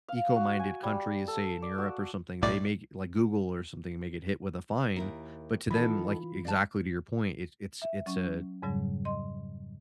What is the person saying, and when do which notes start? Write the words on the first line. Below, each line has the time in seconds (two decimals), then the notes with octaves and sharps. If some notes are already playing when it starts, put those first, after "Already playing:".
eco-minded countries, say, in Europe or something, they may g like, Google or something may get hit with a fine, but to them, like exactly to your point, it's it's it's a,
0.08 F5
0.36 F#4
0.59 G#5
0.83 G3
1.28 A4
1.62 D5
1.78 F#4
2.42 B1 A2 D5
4.96 D#2 E4 A#4
5.71 D#3 E3 F4 A4 B5
6.45 D5 F5 A5
7.82 E5
8.06 F#3 C#4 C#6
8.62 F2 G#2 C#3 F#3 G3
9.05 D#5 C6